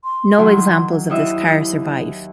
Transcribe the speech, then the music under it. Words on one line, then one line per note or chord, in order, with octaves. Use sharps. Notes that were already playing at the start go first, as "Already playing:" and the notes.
No examples of this car survive.
C6
D#3 E3 F#3
D#2 E4 D#5 E5